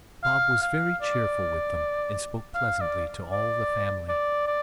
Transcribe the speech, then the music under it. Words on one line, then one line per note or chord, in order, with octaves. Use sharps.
Bob was very cheerful with them, and spoke pleasantly to all the family.
F5
F5
D5
F5
D5
D5
D5
D5